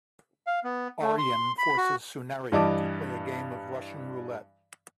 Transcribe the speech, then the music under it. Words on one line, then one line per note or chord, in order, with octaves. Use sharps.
Aryan forces Sunehri to play a game of Russian roulette.
F5
B3
A3
C6
B5
F#4
G2 E3 G3 D#5 A5 D6